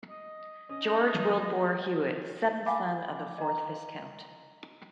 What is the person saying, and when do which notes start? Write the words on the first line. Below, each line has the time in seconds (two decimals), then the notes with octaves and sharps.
George Wyldbore Hewitt, seventh son of the fourth Viscount.
0.10 D#5
0.69 C#4 D#5
0.81 D#4
1.14 F#3
2.66 F5 F#5 G#5 B5 D6
3.38 D#5 A#5